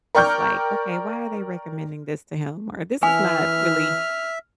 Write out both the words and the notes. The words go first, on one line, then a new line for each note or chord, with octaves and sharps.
it's like, "Okay, why are they recommending this to him?" Or, "This is not really
A#4 D5 G5 C#6 F6 G6
E3 E5 G#5 F6